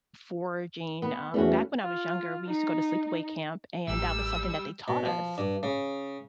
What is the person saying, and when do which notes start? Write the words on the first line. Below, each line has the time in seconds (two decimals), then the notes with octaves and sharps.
foraging. Um, back when I was younger, we used to go to sleepaway camp, and that was something that they taught us.
1.02 B3
1.34 E2 A3 C#4 F#4
1.82 F4
2.46 D#4
3.88 A1 G3 E6
4.88 B2
5.05 F3
5.38 G2
5.63 C#3